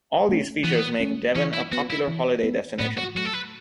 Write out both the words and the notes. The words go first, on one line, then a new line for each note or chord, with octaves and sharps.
All these features make Devon a popular holiday destination.
A3 C#4
E3 B3
A3 C#4
E3 C#4
E4
B3 F#4
E4
E3
B3
A2 B3
F#4
F#3 A3 F#4
A4
B4